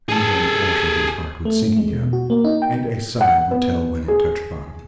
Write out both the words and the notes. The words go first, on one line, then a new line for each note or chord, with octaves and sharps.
And then Washington's heart would sink again and a sigh would tell when it touched bottom.
G#4 A4
A3
G#3
B2
F#4
A#3
D#4
G5
F#5
B3
G#4